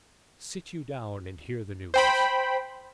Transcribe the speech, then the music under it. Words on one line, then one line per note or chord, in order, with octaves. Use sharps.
Sit you down and hear the news.
C5 G5 B5